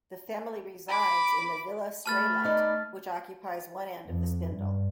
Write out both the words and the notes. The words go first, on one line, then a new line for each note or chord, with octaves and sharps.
The family resides in the Villa Straylight, which occupies one end of the spindle.
B5 D6
A3 B4 A5 F6 A6
D#4 D5
F2
G2